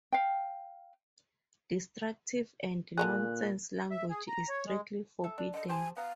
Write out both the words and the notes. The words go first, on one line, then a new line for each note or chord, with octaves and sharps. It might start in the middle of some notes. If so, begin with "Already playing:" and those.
Destructive and nonsense language is strictly forbidden.
F5 G5
A#2 D3 F#3 G#4 F#6
E5
G#4
A#5
C#5
G#3
A4 E5
D4
D3 A4 D#5
G4 C5 G#5 A5
B3 F5 A#5